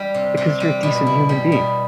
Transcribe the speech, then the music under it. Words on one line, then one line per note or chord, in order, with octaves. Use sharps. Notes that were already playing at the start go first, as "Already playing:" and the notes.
Because you're a decent human being.
Already playing: G3
C3
C3
G3
B2
E4
G3
B2